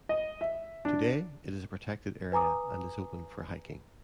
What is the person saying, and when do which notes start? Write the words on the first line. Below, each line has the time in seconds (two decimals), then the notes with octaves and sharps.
Today, it is a protected area and is open for hiking.
0.09 D#5
0.41 E5
0.85 D4
2.32 B4 G#5 A#5 D6 D#6